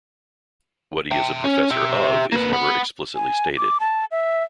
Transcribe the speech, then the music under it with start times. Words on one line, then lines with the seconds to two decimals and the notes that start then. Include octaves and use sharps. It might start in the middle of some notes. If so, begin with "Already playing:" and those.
What he is a professor "of" is never explicitly stated.
1.11 E5 G5
1.44 C#4
1.70 G4 E5
2.32 A#3 B4
2.53 B3
3.15 G#5
3.57 D6
3.80 A5
4.11 E5